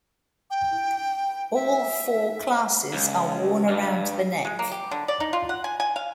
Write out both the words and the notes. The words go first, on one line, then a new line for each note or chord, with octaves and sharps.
All four classes are worn around the neck.
G5
E5
C#2
G2
G#3
A#3
G4
D3
D5
D#4
F4
F#5
G#5
G#5
F5